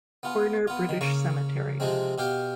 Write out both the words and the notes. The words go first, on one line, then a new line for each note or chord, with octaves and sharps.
Corner British Cemetery.
B3 F4
B3 F4
D#3
C#3 A#3 C#6
C3 F3 G#3 C4
B2 G4 F5 G5